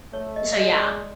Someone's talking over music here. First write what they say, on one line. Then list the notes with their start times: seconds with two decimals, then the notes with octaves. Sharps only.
so yeah.
0.13 A3 C#5
0.36 D#5
0.52 D5
0.59 G#3 D#5
0.83 D5